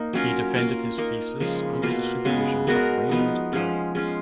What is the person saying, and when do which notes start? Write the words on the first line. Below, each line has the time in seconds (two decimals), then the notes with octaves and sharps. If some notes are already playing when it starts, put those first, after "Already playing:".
He defended his thesis under the supervision of Raymond Aron.
Already playing: A#3 D#4
0.13 F#3 C#4 F4 A#4
0.56 A#3 F4 A#4
0.98 A#3 D#4 A#4
1.40 C#3 F3 G#3
1.82 B2 A#3 F4
2.25 C#3 G#3 B3
2.67 G#3 B3 F#4 A#4
3.09 F3 B3 D#4
3.53 F3 G#3 C#4
3.95 G#3 C#4 F4